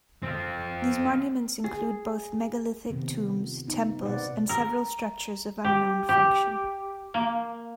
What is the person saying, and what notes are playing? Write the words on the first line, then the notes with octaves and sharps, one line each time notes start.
These monuments include both megalithic tombs, temples and several structures of unknown function.
C4 F4
G#4
C3 D#3 A3 B3 C4
F4
B3 D#4
F#3
B2 D#4 B4 C5 D5 F#5
A#4
G4
G4
A#3